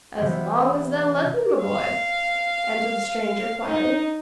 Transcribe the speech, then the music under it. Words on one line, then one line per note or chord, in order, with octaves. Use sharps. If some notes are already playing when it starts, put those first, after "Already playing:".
"As long as they'll let me, my boy," answered the stranger quietly.
C3 E3 A#3 B3 G4
F5
D#4